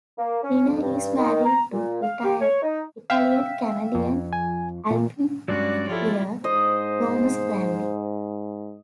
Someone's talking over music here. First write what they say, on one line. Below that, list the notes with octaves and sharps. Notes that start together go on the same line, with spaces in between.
Renner is married to retired Italian-Canadian alpine skier Thomas Grandi.
A#3
C#4
F2
G2
D#3
A#5
A#2
F5
G4
C#5
D#4
E5 F5 G5
F2
G#5
A#2
G2 F#3 G#3 C#4 D4 F#4 D5
F3 E4 F4 G4 A4 C#5
G#2 C5 D#5